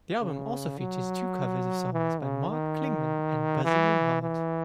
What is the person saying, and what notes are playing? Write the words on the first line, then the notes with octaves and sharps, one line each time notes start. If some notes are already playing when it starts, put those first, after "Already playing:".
The album also features two covers of songs by Mark Klingman and Buzzy Linhart.
C#3
F#3
E3
C#3
D#3
E3
E3